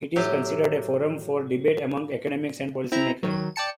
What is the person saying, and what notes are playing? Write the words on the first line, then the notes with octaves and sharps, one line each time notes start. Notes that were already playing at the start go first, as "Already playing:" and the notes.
It is considered a forum for debate among academics and policy makers.
A2 F#3 G4
C4 E4 A#5
D#3 F#3
D5 G5 A5 C#7